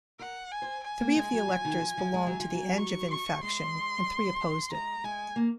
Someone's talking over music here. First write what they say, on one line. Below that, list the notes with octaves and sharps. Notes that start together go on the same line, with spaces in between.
Three of the electors belonged to the Angevin faction, and three opposed it.
A#4 F#5
G#5
C5
G#5
A#3
G#3
F#3
F3
D#3
F3
F3
G#3
F#3
F3
F#3
C#6
C#6
G#3 C6
G#3 A#5
G#3 G#5
A#3